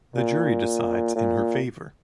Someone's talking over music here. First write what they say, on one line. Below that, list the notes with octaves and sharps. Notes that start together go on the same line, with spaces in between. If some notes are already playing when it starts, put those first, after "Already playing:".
The jury decides in her favor.
A#2
A#2